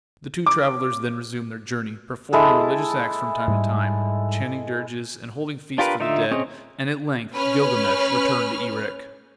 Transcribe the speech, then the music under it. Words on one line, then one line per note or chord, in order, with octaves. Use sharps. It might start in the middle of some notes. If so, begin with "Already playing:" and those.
The two travellers then resumed their journey, performing religious acts from time to time; chanting dirges and holding feasts for the dead, and at length Gilgamesh returned to Erech.
D6
G#3 E4 A4
G#2 G3
D4 F4 G4 A#4 B4
D3 D#4 F4 E5 E6
C4 C#4 G#4 D#5
C#4 B4 F6